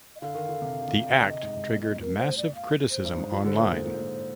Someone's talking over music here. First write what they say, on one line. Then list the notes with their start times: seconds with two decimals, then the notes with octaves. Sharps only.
The act triggered massive criticism online.
0.16 D#5
0.21 D3 F5
0.35 D#3
0.49 D3
0.62 C3
0.81 D3
0.88 C3
1.03 D3
1.19 D5
1.29 C3 D#5
1.43 G#2
1.57 G#2
1.69 A#2
1.83 D#5
2.01 A#4
2.19 C5
2.38 D5
2.55 F5
2.91 C5
3.05 G2
3.18 G#2
3.32 F3
3.44 D3 C5
3.58 A#2
3.72 G#2
3.85 A#2
3.98 A#2